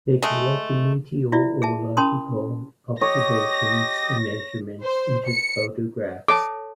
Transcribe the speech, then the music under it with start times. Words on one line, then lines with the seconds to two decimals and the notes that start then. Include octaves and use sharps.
They collected meteorological observations and measurements and took photographs.
0.22 G#3 A3
1.32 E4 F4 D5 E5
1.62 G#4 E5 A5
1.97 C#4 A#4 A5 B5 C6 D#6
3.01 G4 C#5 D#5 D#6 A#6
4.83 C5
5.27 C#7
6.28 A4 C#5 A5 D6